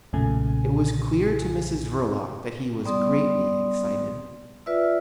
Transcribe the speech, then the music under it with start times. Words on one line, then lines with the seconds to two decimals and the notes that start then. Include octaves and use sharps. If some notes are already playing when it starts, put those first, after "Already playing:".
It was clear to Mrs Verloc that he was greatly excited.
0.13 B1 F#2 A#2 C#3 A3 G#5
2.85 G3 B3 D5 C6 D#6
4.66 F4 B4 D5 E5 E6